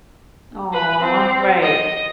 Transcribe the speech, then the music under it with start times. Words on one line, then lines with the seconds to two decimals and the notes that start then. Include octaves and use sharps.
Aw! Right.
0.73 B4
1.03 C4
1.62 D#5